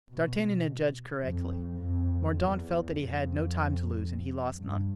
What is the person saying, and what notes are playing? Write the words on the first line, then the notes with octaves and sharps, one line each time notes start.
D'Artagnan had judged correctly; Mordaunt felt that he had no time to lose, and he lost none.
B2
F2
F2
E2
F2
G2